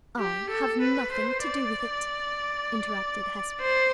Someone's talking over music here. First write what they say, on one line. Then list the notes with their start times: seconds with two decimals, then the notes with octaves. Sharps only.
"I have nothing to do with it," interrupted Hesper.
0.19 G4
0.50 A4
0.81 B4
1.12 C5
1.43 D5
3.61 C5